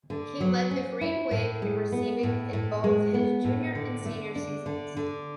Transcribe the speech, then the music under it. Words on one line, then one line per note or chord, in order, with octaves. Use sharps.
He led the Green Wave in receiving in both his junior and senior seasons.
D3
F#3
C#4
E4
A2
G#3
B3
A2
A2
G#3
B3
A2
D3
A3
D4
D3
D3